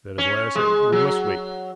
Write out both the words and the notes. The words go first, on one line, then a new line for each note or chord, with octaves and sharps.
That is why I said we must wait.
C#4
G#3
F#3